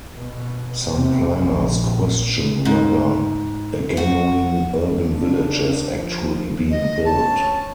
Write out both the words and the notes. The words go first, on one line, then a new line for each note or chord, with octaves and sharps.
Some planners question whether a genuine urban village has actually been built.
B2
C3
A#1
G#2
F#4
C#3 D4
F3
D#5
D2 C#4 A5